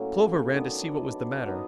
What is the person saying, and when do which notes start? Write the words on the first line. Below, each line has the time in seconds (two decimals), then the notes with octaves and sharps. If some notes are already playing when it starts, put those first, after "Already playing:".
Clover ran to see what was the matter.
Already playing: A2 F#3 A#3 C#4
0.53 D#3 F#3 B3 D4
1.46 F#3 B3 D#4